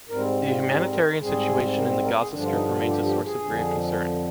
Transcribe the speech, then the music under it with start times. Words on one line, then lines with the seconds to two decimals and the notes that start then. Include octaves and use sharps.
The humanitarian situation in the Gaza Strip remains a source of grave concern.
0.09 G#2 G3 C4 A#4
0.47 F4
0.65 G#4
0.80 A#4
0.93 A#4
1.07 A#4
1.21 G#2 G3 C4 G#4
1.76 A#4
2.04 A#4
2.18 G#4
2.32 G2 D3 F3 D4
2.42 F4
2.51 D#4
2.69 F4
2.88 G4
3.06 G4
3.25 G#4
3.44 F2 D3 F3